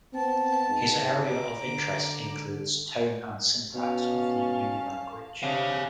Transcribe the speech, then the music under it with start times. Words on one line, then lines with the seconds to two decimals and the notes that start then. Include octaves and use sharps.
His area of interest includes tone and syntax of the Ewe language.
0.13 B3 C4 A5
0.69 G#2
1.24 A#5 D6
1.63 D3
3.74 B2 C#4 F5 A5
5.43 C3 D4 C#5 F5